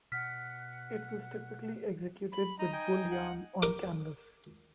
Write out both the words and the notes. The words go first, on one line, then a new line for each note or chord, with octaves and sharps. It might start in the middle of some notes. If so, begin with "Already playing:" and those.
It was typically executed with wool yarn on canvas.
B2 F#5 F6 F#6 B6
B5
D#4 D#5 A#5
D#4 G5 G#5
F#5
A#4 D6